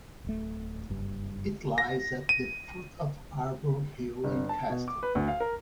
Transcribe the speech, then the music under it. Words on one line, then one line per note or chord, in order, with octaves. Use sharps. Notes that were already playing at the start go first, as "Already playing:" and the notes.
It lies at the foot of Aarburg hill and castle.
D1 A3
F#1 G2
A#6
D#7
G1
A5
B2
D6
B4
D2
F5
A#4